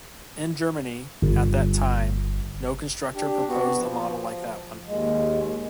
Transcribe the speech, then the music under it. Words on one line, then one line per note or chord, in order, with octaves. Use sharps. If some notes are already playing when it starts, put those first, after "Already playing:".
In Germany. at that time, no constructor proposed a model like that one.
G1
D4 G4
B3 F#4
F3
D#2 G#3